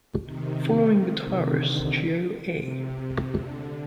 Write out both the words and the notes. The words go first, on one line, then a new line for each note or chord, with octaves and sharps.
Following guitarist Joe A.
C3 D#3
C3
D3
C3
D3